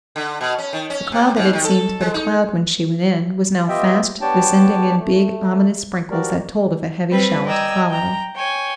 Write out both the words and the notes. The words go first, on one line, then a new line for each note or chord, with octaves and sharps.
The cloud that had seemed but a cloud when she went in, was now fast descending in big ominous sprinkles that told of a heavy shower to follow.
D3
B2
C#4
D#3
C#4
C3
G#2
D#3
A4
G#3
D#4
B3 F4 G4 D#5 E5 G5
B3 D4 G4 C#5 G5 A5
A3
F3 F#4 G4 A#4 D5
G3 C4 B4
D5 D#5 G5 G#5 A#5 E6
G5 A#5
C#5 G5 G#5